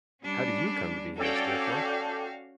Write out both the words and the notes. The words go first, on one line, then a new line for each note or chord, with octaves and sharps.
How do YOU come to be here, Steerforth?'
G3 C#4 D4
C#4 F#4 A4 D5 F5 G5